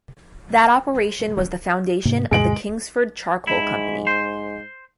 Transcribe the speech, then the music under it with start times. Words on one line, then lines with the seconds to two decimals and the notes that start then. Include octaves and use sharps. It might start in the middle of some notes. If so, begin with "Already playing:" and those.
That operation was the foundation of the Kingsford Charcoal company.
2.05 G#2 C3 A#3
2.31 D2 G2 B2 G#3 D7 F#7
3.47 G#2 E4
4.07 C5